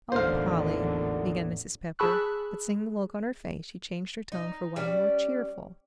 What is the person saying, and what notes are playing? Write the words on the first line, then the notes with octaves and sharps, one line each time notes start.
"Oh, Polly," began Mrs. Pepper; but seeing the look on her face, she changed her tone for one more cheerful.
A1 E2 D3 A#3 D#4 F4 C5 F5
G#4 A5 B5 C#6 E6 F#6
D#4
G3 C#4 D5